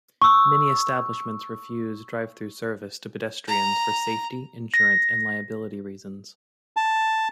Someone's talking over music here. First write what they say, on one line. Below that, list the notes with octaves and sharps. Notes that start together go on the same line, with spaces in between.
Many establishments refuse drive-through service to pedestrians for safety, insurance, and liability reasons.
C#6 E6
A#5
A#6
A5